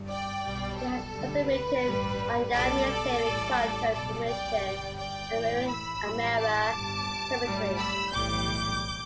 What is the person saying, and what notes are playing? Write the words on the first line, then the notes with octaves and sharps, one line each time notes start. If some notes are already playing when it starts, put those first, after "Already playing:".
He has further written on Yang-Mills theory, quantum information, and mirror symmetry.
Already playing: G1 G2 G3
D5 G5
B1 B2 G3
A4
D2 D3 G3
B4
A1 G2 G3
B1 B2 G3 A4 D5
A1 A2 G3
B1 B2 G3 A4 D5
D5 G5
G1 G2 G3
D5 G5
A1 A2 E3
B5 E6
A1 A2 E3 G3
A5 D6
G1 G2 G3
B1 A2 G3
B5 E6
B1 A2 E3 G3 D6 G6